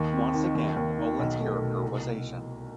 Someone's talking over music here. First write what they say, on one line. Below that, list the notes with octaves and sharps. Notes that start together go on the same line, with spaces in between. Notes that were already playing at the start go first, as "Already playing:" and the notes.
Once again, Oland's character was Asian.
Already playing: D#2
C4
D#3
D#2
D#2
D#3
B1
A3
B2
C2